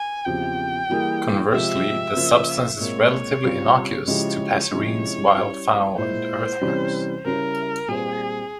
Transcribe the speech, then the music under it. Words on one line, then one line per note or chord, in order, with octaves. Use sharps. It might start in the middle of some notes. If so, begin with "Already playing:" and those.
Conversely, the substance is relatively innocuous to passerines, wildfowl, and earthworms.
Already playing: G#5
E2 C#3 F3 C4 G4 G5
E3 G3 A#3 E4 G#4
C3 F3 G#3 C4 G4 E5
C#3 F3 A#3 F4 C5
A#2 G#3 C4 F4 A#4 C#5
C#3 G3 C4 F4
C#3 F3 G#3 E4 G4 C#5
C3 F3 G#3 C#4 E4
G3 C#4 E4
A#2 G#3 E4 C5
C3 E3 G3 C#4
C#3 G3 C#4 E4 A#4
A#2 G3 C4 F4 G#4 C5